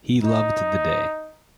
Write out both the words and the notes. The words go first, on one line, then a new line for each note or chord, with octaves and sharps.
He loved the day.
D#4